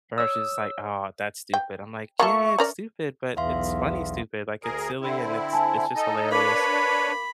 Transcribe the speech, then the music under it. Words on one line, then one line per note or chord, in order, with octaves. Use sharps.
for her she's just like, "Oh, that's stupid." I'm like, "Yeah, it's stupid, but it's funny stupid, like, it's silly and it's it's just hilarious."
C#5 D#6 E6
G5
A#3 F4 A4 E5 C#6
C#4 A#4 D5
B1 E2 E5 F5 C6
D2 G#4 A#4
D3 C4 E4
G#5 A5
D#4 A4 D#5
D4 A#4 B4 C#5 F5 B5 D6